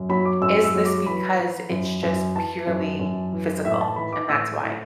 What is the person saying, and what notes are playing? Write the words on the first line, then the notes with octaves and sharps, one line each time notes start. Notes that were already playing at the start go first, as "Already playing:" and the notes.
"Is this because it's just purely physical?" And that's why
Already playing: F#2
F#3 B5
D6
F#2 E6
E6
F#3
D6
E3 B5
E3
F#2
F#2
E3 A5
F#2
F#2
E3
A2 E5
A5
E3 B5
D6
A2 E6
A2